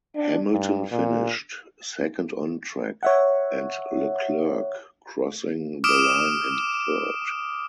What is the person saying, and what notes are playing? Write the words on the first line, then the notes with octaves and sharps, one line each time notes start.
Hamilton finished second on track and Leclerc crossing the line in third.
D4
G2
A#2
C#5 E5 F#5
D6 D#6 F6 D7 E7